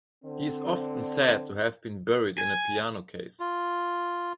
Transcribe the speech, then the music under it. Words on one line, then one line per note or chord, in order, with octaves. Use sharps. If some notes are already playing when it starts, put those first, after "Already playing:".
He is often said to have been buried in a piano case.
D3 C4
G#5
F4